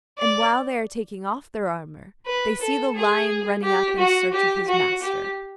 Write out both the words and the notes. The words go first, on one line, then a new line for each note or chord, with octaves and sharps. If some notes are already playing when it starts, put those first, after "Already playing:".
And while they are taking off their armour, they see the lion running up in search of his master.
D5
B4
A4
G#4
G4
F#4
G4
F#4
G4